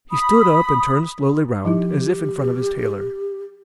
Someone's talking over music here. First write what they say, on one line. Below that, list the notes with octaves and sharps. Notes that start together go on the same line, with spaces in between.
He stood up and turned slowly round, as if in front of his tailor.
B5 D#6
F3 D#4 E4 G4